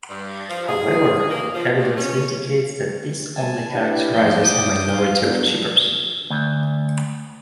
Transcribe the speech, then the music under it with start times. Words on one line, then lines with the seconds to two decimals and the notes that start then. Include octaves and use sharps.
However, evidence indicates that this only characterizes a minority of chippers.
0.09 G2
0.49 F3
0.68 G#4
1.29 A#3
1.54 F3
1.78 G2
1.97 C#4
3.36 G#5 A5
3.71 D4 E4 G4 B4
4.14 E2 A2 F3 F4 D5 G6
4.43 D6 D#6 G6
4.91 F5
5.22 F#3 B3 D4
6.30 D2